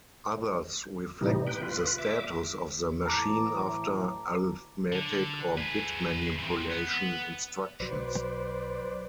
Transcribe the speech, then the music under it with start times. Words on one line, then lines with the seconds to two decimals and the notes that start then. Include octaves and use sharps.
Others reflect the status of the machine after arithmetic or bit manipulation instructions.
1.21 A2 C3 E3 G3 D#4
1.47 B4 G5
1.62 F4 B4
1.98 E5 D6
3.06 A2 E3 A5 A#5 D6
4.93 D3
5.58 G#4 B4
6.39 E3 C4
6.70 B3
7.80 B1 F#3 B4 C5 D5